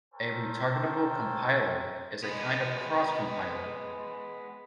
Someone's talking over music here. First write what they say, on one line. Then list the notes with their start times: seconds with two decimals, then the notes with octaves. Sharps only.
A retargetable compiler is a kind of cross compiler.
0.14 A4 A#4 C5 C#5 G5
2.24 G#3 B3